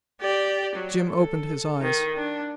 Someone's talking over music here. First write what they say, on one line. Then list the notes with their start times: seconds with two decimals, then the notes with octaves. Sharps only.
Jim opened his eyes.
0.21 G4 D5
0.75 F#3
1.07 A4
1.82 D#3
2.17 D4